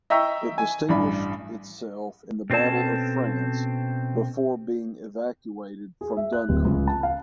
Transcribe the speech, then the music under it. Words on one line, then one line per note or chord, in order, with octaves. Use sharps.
It distinguished itself in the Battle of France before being evacuated from Dunkirk.
D#5 E5 G5 A#5 C#6 E6
G#5
A1 G2 D4 B5
B2 C4 C#4 A4 A5
G#4
E5
F#6
D1
C#2
A5
F5